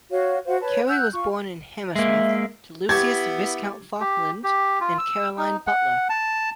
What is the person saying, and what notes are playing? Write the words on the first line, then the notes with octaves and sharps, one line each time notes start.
Cary was born in Hammersmith, to Lucius Viscount Falkland and Caroline Butler.
F#4 C#5 F5
F#4 C5 F5 F#5
B4 C#5 A5
F#5 E6 F#6 G6
F4 C#6
G#3 A#3 E5
B3 E4 G4 A5 C#6 G#6
G4
G4
F4
E6
D#4
F#5
A5